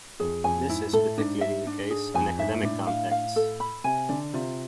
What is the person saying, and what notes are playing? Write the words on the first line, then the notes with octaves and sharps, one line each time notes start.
This is particularly the case in academic contexts.
F2 G#4
F2 G#5
G#2 E4
A2 A4
G#2 D4
E5
D4
G#4
F2 G#5
G#2 E5
A2 D4
F5
F5
A4
B5
C3 G#5
D3 D5
C3 F4